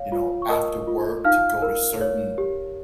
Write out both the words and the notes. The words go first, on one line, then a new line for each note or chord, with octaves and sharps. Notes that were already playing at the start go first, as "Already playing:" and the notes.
you know, after work to go to certain
Already playing: C#5 F5
F4
C#6
A#4 D#5 D#6
F4
D#4 F5 F6
A#4
C#5
G4